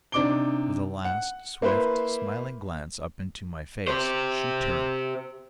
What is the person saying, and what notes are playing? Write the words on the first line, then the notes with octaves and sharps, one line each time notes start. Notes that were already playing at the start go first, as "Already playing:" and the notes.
With a last swift, smiling glance up into my face, she turned.
C3 D4 D#4 D6 D7 G7
F#5
A#3 E4 B4 C5
G4 C5